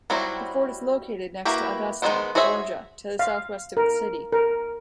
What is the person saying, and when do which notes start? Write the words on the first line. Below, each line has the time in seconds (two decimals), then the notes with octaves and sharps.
The fort is located next to Augusta, Georgia to the southwest of the city.
0.10 F#3 G3 C4 E4 F#4
1.45 A#3 E4 F#4 G4 B4
2.02 D#3 G#3 B3 C5 F#5
2.35 F#4 G#4 C5 C#5 E5
3.19 F5
3.77 A#4
4.32 A#4